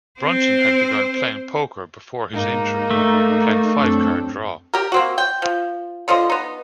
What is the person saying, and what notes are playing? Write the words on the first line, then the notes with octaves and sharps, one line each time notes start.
Brunson had begun playing poker before his injury, playing five-card draw.
C4 C5
G#2 A#3 D#4
A3
F#2 C4 D4 A4
G4 A#4
A#3 C4 F#4
G5
F3
D3 F4 C5 D#5
B3 D#4